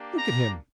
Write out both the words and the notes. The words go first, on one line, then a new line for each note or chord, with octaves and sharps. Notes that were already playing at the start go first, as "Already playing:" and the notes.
Look at him.
Already playing: A#3 D4 G4
A#5